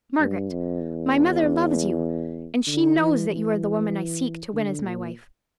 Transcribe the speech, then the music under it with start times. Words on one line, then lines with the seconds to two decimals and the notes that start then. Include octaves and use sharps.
Margaret, my mother loves you; and she knows that you are the woman I seek to win as my wife.
0.19 G2
0.51 F2
0.81 E2
2.67 D3
2.98 E3
3.29 E3
4.53 D3
4.83 A#2